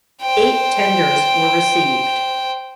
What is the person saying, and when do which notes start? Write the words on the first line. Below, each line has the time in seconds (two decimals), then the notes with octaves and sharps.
Eight tenders were received.
0.22 C5 G5